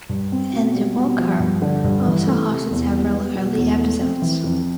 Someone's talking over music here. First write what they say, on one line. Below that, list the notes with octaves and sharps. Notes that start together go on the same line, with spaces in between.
Andy Walker also hosted several early episodes.
G2
C4
B2
G3
B2
F3
G2
D3
G2
E3
A3
C3
E2
G3
B3
B2
E2
A3
C4
E3
F2